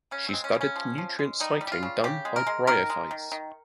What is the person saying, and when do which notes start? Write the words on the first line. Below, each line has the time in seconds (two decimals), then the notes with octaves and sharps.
She studied the nutrient cycling done by bryophytes.
0.11 C#3 C#4
0.28 G#3 C4
0.44 C#4
0.55 C#3
0.61 C#4
0.76 F3
0.98 F3
1.19 G#3
1.40 G3 D#4
1.61 G3
1.67 G4
1.72 F4
1.83 C#3
2.04 C#3 G4
2.25 G#3
2.36 A#4
2.47 G#3
2.67 D#3 A#4
2.90 G#3
3.11 D#3
3.32 D#3